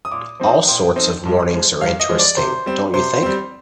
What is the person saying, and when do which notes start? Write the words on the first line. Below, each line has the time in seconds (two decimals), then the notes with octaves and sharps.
All sorts of mornings are interesting, don’t you think?
0.05 D#6
0.12 A#2 D6
0.40 F3 C4 D#4
0.68 A#2 G5
0.96 F3 C4 D#4
1.25 G2
1.53 F3 G#3
1.81 G2 F5
2.00 D#5
2.09 F3 G#3
2.19 D5
2.37 C3 C5
2.66 G3 C4
2.94 C3 C5
3.23 G3 C4